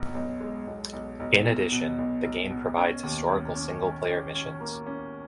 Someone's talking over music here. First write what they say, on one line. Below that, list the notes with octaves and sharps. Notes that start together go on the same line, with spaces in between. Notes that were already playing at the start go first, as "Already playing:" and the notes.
In addition, the game provides historical single-player missions.
Already playing: B1 B2
B1
G#3
B1
B1
B1
B2
B2
B1
B1
B2
C#4
D#2
C#4
C#4
C#4
C#4
C#4
A#3
C#4